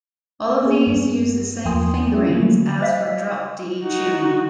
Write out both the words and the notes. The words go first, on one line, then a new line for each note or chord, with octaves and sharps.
All of these use the same fingerings as for drop D tuning.
A#3 G#4
G2 B3
E2 F3 G5 G#5 C6 D#6
C#4 E4 G#4
D3 F3 F#3 A3 A#3
C5 D#5 F5
D#4 F#4